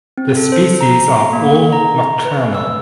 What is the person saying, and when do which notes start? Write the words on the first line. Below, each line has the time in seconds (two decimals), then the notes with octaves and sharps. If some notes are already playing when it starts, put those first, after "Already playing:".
The species are all nocturnal.
0.18 C4
0.37 A4
0.52 C5
0.81 A#5
1.33 A#3
1.73 A#5
2.25 B4
2.55 E6